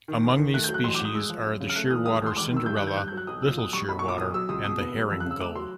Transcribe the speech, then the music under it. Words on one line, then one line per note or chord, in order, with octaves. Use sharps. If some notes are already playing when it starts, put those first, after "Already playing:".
Among these species are the shearwater Cinderella, little shearwater and the herring gull.
D#3
D#2
D#3
A3 F#6
G6
F#3
F#6
A1 C6
D6
G#2
D#6
G#3 E6
F3
F#2
C#3
F6
A3 F#6
E3 D#6
E1 D#6
D#2
C6
E1 D6
D#3 E6
G2 G6
F#6
D#3
G6
G2 F#6
G6
F#3
F#6
B1 D#6
A#2 E6
B1 D#6
G3 C#6
B1 B5
C#6
A#2
D6
B1 D#6
F#3 E6
C#2 D#6
B2 D#6
B3
G3
F2 E6
F#6
C#3 E6
A3 D6
F#3 C6